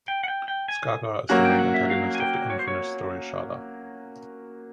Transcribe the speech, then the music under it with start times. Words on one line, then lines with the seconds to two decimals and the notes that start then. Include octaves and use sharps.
Skagra is the main antagonist of the unfinished story "Shada".
0.08 G5
0.23 F#5
0.28 G5
0.48 G5
0.68 G#5
1.29 F#3 A#3 C#4 F#4 F#5
1.45 G5
1.59 F#5
1.74 E5
1.90 F5
2.15 G#5
2.20 G5
2.50 C#5
2.59 C5
2.68 C#5